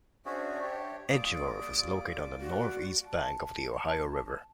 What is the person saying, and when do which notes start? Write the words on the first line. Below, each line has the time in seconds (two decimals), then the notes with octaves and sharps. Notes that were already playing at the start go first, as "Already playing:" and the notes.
Edgeworth is located on the northeast bank of the Ohio River.
0.26 C#4 D4 F#4 G#4 C5 D5 E5
0.62 G4 C#5
1.09 G3 A#3 F4 D5 D6 D#6
2.41 F#4
3.05 A5